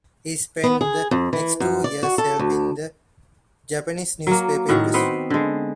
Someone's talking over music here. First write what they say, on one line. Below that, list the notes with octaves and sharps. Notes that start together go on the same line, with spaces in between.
He spent the next two years helping the Japanese newspaper industry.
B3
G#4
F2
E3
F#2
D5
F#4
A4
D2
F#3 A#3
A2 D#3 F#4
B3 C4 C5
D3 G#3